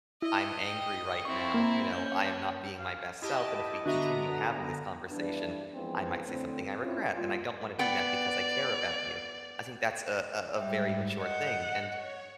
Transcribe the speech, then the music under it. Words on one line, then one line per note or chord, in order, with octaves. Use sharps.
I'm angry right now," you know, "I am not being my best self, and if we continue having this conversation, I might say something I regret, and I don't wanna do that because I care about you." I think that's a a a very mature thing and,
E4 D#5
G5
C4 E4 C#6
A#3
C#4 G6
F5
E4 G4 D#5 A5
D3 B3 D4 F#4 E5 A#5
G2 E3 B3 D4
E3 F3 G#3 B3 C4
A2 D3 C4
C4 C#4 E4 F4
A#2 G3 E4 F4
B3 D5 G5
G#2 G3 E5 G5
D#5 F#5 G6
C#5